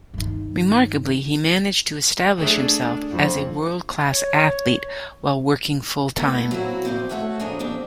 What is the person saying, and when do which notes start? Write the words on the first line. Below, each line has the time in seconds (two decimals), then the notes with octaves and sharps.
Remarkably, he managed to establish himself as a world class athlete while working full-time.
0.14 G2 D#3
2.36 A3 D4 G#4
3.10 F2
4.08 C#5
6.17 G3 A3 B3 E4 A4 B4
6.51 F#3 A#3 C4 E4 F#4
6.84 F2 F3 C4 C5 D5 E5
7.09 A3 F#4 A4 C#5 E5 F#5
7.40 C#3 F3 C#4 D4 A#4 D#5
7.59 E2 C4 D4 G4